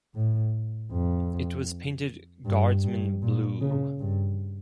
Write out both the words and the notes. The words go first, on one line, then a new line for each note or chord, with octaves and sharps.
It was painted Guardsman Blue.
A2
F2
G2
G2
A#2
C#3
G2